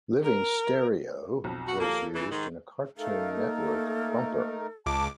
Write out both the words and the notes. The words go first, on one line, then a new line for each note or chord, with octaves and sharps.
"Living Stereo" was used in a Cartoon Network bumper.
A#4
B1 F2
F#4
D#2 F3 A#3 A4
C#3 E3
G#2 D#3
A3 D#4 A4 A#4 F5
A#3
C#2 A5 D6